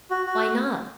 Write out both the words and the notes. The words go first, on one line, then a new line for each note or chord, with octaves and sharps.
"Why not?"
F#4
F#4